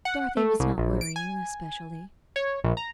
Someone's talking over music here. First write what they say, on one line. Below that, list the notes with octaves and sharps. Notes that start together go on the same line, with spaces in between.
Dorothy was not worrying, especially.
F#5
A3
C2
A#1
D7
G#5
C#5
A#1
A#5